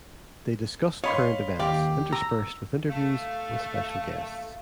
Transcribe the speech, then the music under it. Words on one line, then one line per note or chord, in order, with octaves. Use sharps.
They discussed current events, interspersed with interviews with special guests.
C#5 D#5 F5 B5 C6
D#2 G4 D5 F5
A#5 E6
A3 F5